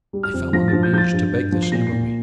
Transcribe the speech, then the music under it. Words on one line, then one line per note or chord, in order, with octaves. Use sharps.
They fell on their knees to beg the same of me.
G3
F6
F2
F3 A#6
A6
F3
G6
F3 G6 A6
G2
G2
F3
C7
A#2 A#6
C7
A#2